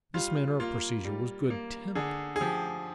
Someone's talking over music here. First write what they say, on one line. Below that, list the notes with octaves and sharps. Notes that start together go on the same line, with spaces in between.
This manner of procedure was good-tempered.
G3 F4
A#3 F4
G3
A#3
D3 G#4
G#4
F3 G4